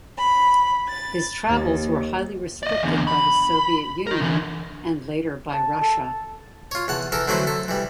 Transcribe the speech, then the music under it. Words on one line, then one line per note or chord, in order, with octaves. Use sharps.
His travels were highly restricted by the Soviet Union and later by Russia.
B5
A6
D#2
D5 D#5
E2 D3
B5
D#4 A#4
D3 E3
A5
A4
F4 C#5
E2 F#5 A5
E3 A4 A#4
D3 E3 F#3 A3 E4 C5
A4
E3 G3